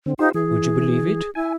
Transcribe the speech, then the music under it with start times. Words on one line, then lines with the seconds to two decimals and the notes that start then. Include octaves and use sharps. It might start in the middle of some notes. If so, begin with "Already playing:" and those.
Would you believe it?
0.06 D3 C4
0.19 D#4 F4 G4 C5
0.34 E3 G#4
1.35 E4 G#5